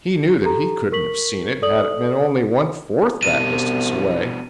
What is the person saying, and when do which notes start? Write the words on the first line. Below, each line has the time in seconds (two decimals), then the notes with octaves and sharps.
He knew that he couldn't have seen it had it been only one fourth that distance away.
0.43 G4 A4 A#5
0.92 A#4 C#6 B6 F#7
1.62 A4 D5 D#6 F#7
3.23 C2 B2 D4 D#7